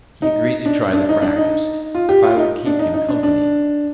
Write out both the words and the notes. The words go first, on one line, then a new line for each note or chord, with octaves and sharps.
He agreed to try the practice, if I would keep him company.
D#4
D4
D4
D#4
D4
D#4
F4
G4
F4
D#4
D4
D#4
D#4
D4
D4